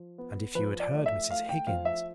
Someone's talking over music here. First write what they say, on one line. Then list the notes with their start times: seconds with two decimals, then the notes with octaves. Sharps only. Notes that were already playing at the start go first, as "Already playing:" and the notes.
And if you had heard Mrs. Higgins!
Already playing: F3
0.18 B3
0.55 F3 B4
0.80 D5
0.93 A3
1.06 E5
1.30 A3 F5
1.49 G5
1.67 F3 F5
1.85 E5